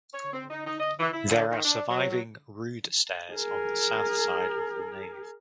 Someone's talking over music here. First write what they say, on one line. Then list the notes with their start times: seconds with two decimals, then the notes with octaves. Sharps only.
There are surviving rood stairs on the south side of the nave.
0.13 C#5
0.33 C4
0.50 D#4
0.66 D#4
0.80 D#5
1.00 E3
1.13 E4
1.30 D3
1.51 D#3
1.64 D4
1.90 F#3
2.10 F#3
3.34 G#4 A#4